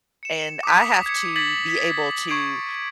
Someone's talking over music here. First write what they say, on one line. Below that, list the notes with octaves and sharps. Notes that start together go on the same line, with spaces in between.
And I have to be able to
C#7 E7
D6 D#6 B6
G#6 B6 C#7
G#6 A6 B6 F#7
B6
C#6 G#6 C7 D7